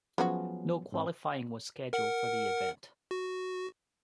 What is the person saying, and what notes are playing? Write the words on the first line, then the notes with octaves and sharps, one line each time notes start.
No qualifying was scheduled for the event.
F3 F#3 G#3 B3 C#4 F#4
G#2 C4
A#4 F#5
F#4